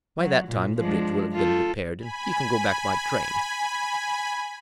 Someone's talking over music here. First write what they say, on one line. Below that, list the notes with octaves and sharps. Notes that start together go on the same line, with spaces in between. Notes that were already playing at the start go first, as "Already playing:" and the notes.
By that time the bridge will have been repaired, and he can go back by train.
F#3
A#2
F3 G#3 D4
F4 A4
G#5 B5